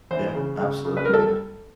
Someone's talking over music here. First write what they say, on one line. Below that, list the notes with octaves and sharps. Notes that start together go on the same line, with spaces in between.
Yeah. Absolutely. Yeah.
E3 C5
C#3
C#3
C#3
B4
A#4
G3 A4